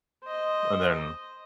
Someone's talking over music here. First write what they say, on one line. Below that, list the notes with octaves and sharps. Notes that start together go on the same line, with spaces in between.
And then
C5 D#5